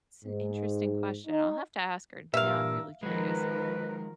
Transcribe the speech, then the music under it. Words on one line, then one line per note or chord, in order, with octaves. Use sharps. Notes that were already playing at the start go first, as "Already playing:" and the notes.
it's an interesting question. I'll have to ask her, now I'm really curious.
G#2
D#4
G2 A#2 A#4 E5 F5 E6
D#3 F3 G#3 F#4 A#4 B4